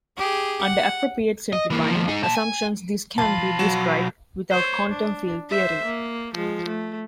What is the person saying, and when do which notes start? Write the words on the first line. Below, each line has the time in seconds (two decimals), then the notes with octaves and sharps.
Under appropriate simplifying assumptions this can be described without quantum field theory.
0.17 G4 G#4
0.61 F#5
1.53 D#5
1.70 E3 A#3
1.91 D#2 F3
2.08 D#4 G#4
2.23 A#2 A5
2.35 G#5
3.18 B1 F3 F4 A5 B5
3.59 F#3 E7
4.51 C5 C#5
4.89 D4
5.50 C5 E5
5.85 A#3
6.34 F3 G#3
6.66 A3